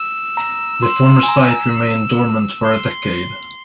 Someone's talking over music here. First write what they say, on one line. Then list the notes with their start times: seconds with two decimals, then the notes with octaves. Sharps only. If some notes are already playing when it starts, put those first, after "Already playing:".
The former site remained dormant for a decade.
Already playing: E6
0.37 A#5
0.82 C6
1.06 C6
1.23 G#5
1.28 A#5
1.51 A#5
2.65 C6